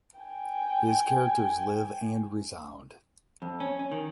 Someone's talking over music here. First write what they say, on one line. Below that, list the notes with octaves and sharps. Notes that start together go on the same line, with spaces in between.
His characters live and resound.
G5 G#5
F2
C#4
C#4
D#3